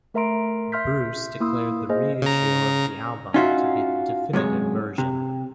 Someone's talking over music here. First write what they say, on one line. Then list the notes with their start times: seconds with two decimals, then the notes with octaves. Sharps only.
Bruce declared the reissue of the album to be the "definitive" version.
0.14 A3 A#4 E5 A#5 C6 D7
0.72 E5 C6 F6 G6 B6
1.40 A#3 E4 C6 D#6 E6
1.89 A#3 G#4 C5 D#5 G#5 F6
2.22 C#3 A#5
3.34 C#4 D#4 F4 F#4 E5
4.33 F#2 C3 G#3 C#5
4.98 C3